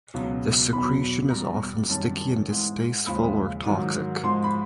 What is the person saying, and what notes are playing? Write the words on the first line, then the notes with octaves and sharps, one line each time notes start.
The secretion is often sticky and distasteful or toxic.
C#2 B2 F#3
E2 B2 F#3 B5
E2 B2 G3 A#5
F#2 D#3 G3 A5
G#2 E3 G#3
D#2 C#3 F3 G#3 B5
G#2 D#3 F#3
G#2 F3 G#3 C6
B5